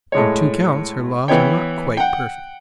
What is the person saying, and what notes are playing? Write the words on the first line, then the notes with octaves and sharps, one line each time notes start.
On two counts, her laws are not quite perfect.
A2 G#3 C#5
E3 B3 C#5 G5
F#5 G5